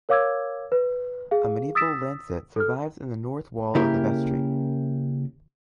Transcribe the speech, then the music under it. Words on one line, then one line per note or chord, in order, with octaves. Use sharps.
A medieval lancet survives in the north wall of the vestry.
A#4 C#5 F5 D6 E6 G#6
B4
G#4 F5
D#6 E6 A6 B6 D7 E7
A4 F6
C#3 A#3 E4 G4 A#4